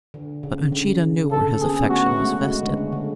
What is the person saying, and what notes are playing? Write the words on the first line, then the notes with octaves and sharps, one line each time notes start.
But Uncheedah knew where his affection was vested.
D3
C#3
D3
C#3
D3 A4
B3 G#4
C#4
B3
A3 F#4
B3
G#3
C#3
C#3
D3
C#3
D3